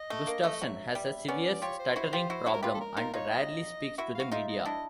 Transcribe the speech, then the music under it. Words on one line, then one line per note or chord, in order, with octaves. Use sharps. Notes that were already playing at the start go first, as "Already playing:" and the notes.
Gustafson has a severe stuttering problem and rarely speaks to the media.
Already playing: D#5
A3
A#3
A3
F#3 E5
G3
B3 C#4 D5
D5
F4 G4 C#5
C5
E4 F#4
F4 G4
E4 F#4
E4 F#4
A#4
F4 G4 B4
A4
A#4
D#4 F4 A#4
D#4 F4 C#5
D#5
E4 F#4 E5
F#4 F5
D#4 F4 E5
D#5
D4 E4 D#5